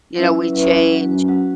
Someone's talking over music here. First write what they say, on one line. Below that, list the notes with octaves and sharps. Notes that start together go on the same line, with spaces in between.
You know we changed
F#3 C#4 E4 B4 E5
F#3 C#4 E4 B4 E5
F#3 C#4 F#4
F#3 C#4 F#4